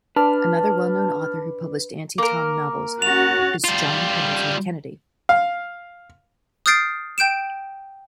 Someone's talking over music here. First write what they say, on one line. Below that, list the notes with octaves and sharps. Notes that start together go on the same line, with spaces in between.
Another well-known author who published anti-Tom novels is John Pendleton Kennedy.
D4 B4 A5 F6
A#3 A#4
C#4 F#4 F#6 A6 F7
G3 F4
F5
D#6 F6 G6 A6 C7 D7
G5 G6 D7 E7